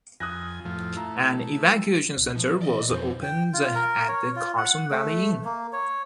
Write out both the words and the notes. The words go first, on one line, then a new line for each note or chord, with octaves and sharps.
An evacuation center was opened at the Carson Valley Inn.
F2 G#5 D#6 F#6 A#6
F2 A2 F3
A3 E4 A#5
C#2
E3 F3
D5 D#5
F2 F3 E4 C5
G5
F4
A#4
C#5
F4
F#5
A3
A#3
C#5